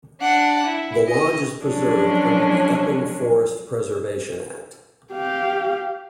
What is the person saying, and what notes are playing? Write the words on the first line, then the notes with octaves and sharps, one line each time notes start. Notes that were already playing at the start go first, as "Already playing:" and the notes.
The lodge is preserved under the Epping Forest Preservation Act.
D4 F#5
E4
D#5
F3 F#3 G#3 C#4 D4
G4 F5